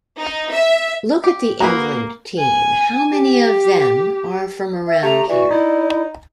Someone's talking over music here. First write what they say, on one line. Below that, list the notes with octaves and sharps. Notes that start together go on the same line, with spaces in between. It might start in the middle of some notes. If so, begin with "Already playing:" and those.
Look at the England team, how many of them are from around here?
D#4
E5
G4
A#3 F#4 G#4 B4 A#5
G#5
G4
E5
A3 G4 A#5
E3 F#4 D5
D#4 E4